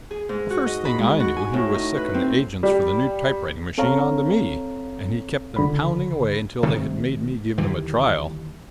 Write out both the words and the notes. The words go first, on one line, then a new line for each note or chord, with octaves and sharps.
The first thing I knew he was sicking the agents for the new typewriting machine on to me, and he kept them pounding away until they had made me give them a trial.
G#4
G#2
F#4
D#5
B5
G#3
F#4
G#5
A2
D#4
B4
C4
G3
C4 A4 C#5 F5 A#5
C#2 D3 B5
C3 D#3 A3
D#2 D3 E3 G3